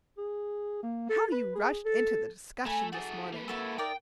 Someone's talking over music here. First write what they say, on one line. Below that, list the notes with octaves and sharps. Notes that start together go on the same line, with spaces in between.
How you rushed into the discussion this morning!
G#4
A#3
A4
B4
G#4
A4
A3 G#5 A#5 B5
A3 F#4 G#4 A5
A#3 B4
E4 F#4 A4
D#4 A#4 D5 G5